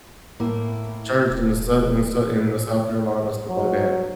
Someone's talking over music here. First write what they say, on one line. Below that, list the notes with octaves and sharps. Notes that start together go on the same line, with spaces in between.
church in the Sou in the Sou in the South Carolina, stuff like that,
A2 A#3 E4
D#1
A#2
F#3